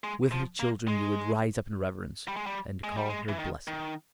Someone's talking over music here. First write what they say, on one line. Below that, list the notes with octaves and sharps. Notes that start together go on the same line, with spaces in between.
With her children, you would rise up in reverence "and call her blessed."
G#3
F3
A#3
G#3
G3
G#3
G3
G#3
G3
G#3
E3
D#3
D#3